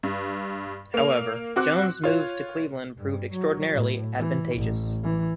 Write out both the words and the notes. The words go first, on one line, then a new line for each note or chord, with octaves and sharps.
However, Jones's move to Cleveland proved extraordinarily advantageous.
G2
A#3 F7
C4 F#4 D6 F#6
F4 C#5
G2
F#3
A2
E3
A1
E3